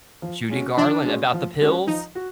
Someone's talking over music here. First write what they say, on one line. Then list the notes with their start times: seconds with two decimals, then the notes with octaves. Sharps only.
Judy Garland, about the pills?
0.22 F3
0.49 G#3 C#4 F#4
0.77 F3 D4
1.05 G#3 C#4 F#4
1.33 F3
1.61 G#3 C#4 F#4
1.87 F3 D#4
2.15 F#4